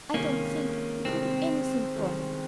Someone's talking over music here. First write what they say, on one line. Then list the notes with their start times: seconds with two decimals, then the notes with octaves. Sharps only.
"I don't think--we can do anything for him."
0.14 C2 C3 D#3 G#3 A#3 C#4
1.05 C2 C3 D#3 G#3 C4
1.96 C2 C3 D#3 G#3